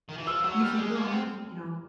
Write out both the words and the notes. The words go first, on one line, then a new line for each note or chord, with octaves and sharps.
you think, "Oh, we've you know,
D#3
E3
F3 E6
F#3 E6
G3 F6
G#3
A#3
B3
C4